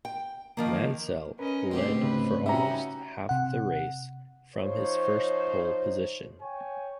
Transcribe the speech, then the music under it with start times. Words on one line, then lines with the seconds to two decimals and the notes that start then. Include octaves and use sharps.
Mansell led for almost half the race from his first pole position.
0.05 G5
0.57 D#3 F3 A#3
1.39 C#4 A#4 B4 D#5
1.71 D2 B2 G#3 C4 G4 C5
2.02 G#2 C#3 C4 B4
2.46 G3 C#4 D#4 F#4 E5 A#5
3.29 C3 F#5
4.56 F3 D#4 C5 C#5
6.41 C#5 G5 G#5